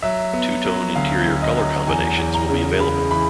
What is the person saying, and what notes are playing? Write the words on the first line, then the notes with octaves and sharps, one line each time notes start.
Two-tone interior color combinations will be available.
F#3 E5
B3
F#3
D2 F5
D2
D#5
F#3
E2 G#5
E2
A#5
C#3
C#3 B5
E3 B5